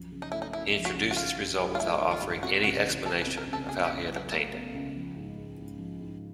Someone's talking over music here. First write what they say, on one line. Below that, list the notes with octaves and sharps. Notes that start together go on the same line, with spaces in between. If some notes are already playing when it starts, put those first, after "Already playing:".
He introduced this result without offering any explanation of how he had obtained it.
Already playing: F#2 F3
C#3
D#4
A3 E4
D#4
C#3 E4
F3
F#4
C#3
F#4
D#3 F4
G2
F#3
F4
A3 E4
D#3
F4
G2
C3 F#4
C#2 F#4
E3
G3 A4
B4
C3
A#4
C#2
A4
B2 G#4
G4
C#2
F#3
B3
A3 A#3
B2
C#2
F3
G#2
G#3
G#2
F3
G#2